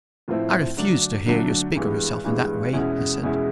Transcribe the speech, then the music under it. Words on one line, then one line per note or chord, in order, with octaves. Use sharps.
"I refuse to hear you speak of yourself in that way," I said.
A2 F3 A3 C4 E4
D3 F#3 A3 D4
D3 F#3 A3 D4
G2 E3 G#3 B3
G2 E3 G#3 B3
E2 B2 G#3 C#4 E4
E2 B2 G#3 C#4 E4